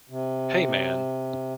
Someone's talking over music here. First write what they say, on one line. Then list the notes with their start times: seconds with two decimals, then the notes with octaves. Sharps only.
Hey man!
0.10 C3